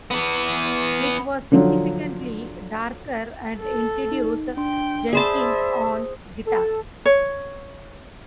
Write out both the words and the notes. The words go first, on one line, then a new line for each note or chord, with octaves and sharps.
It was significantly darker and introduced Jenkins on guitar.
E3 B3
D3 F3 F#3
A4
D#4
D4 G5 C6
G#4 C5 D5 E5 A5 B5
A4
C#5